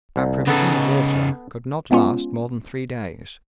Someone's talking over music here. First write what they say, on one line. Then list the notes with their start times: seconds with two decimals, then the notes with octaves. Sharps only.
Our provision of water could not last more than three days.
0.16 C2
0.47 C#3 B3 D#4 A4
1.91 G#3 B3 C#4 F4